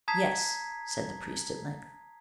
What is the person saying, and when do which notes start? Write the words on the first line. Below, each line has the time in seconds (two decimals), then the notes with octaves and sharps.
"Yes," said the priest at length.
0.08 A5 A#5 D#6 G#6 B6 C7